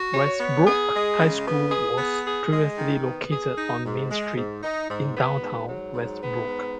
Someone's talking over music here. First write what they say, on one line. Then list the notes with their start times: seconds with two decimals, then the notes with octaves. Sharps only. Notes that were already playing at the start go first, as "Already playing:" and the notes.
Westbrook High School was previously located on Main Street in downtown Westbrook.
Already playing: F#4
0.13 C#5
0.40 B3
0.66 G#4
0.93 G#3
1.19 C#3
1.45 B3
1.71 G#4
1.98 B3
2.25 G#4
2.51 G#3
2.77 D#3
3.04 B3
3.30 G#4
3.57 D#4
3.83 G#2
4.10 G#3
4.36 G#2
4.62 D#4
4.89 G#2
5.16 B3
5.42 G#2
5.68 F#3
5.94 G#2
6.21 B3
6.47 G#2